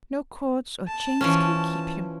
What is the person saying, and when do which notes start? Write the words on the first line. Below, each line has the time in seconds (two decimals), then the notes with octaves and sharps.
No cords or chains can keep him.
0.88 A5
1.21 E3 F3 C#4